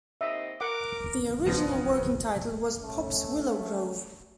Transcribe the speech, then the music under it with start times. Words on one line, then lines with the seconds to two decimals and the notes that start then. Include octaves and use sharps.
The original working title was "Pop's Willow Grove".
0.21 D#2 C4 D#5 E5
0.61 A#4 F#5 D6
1.46 C#3 F3 B3 A#6
2.82 A3 C#4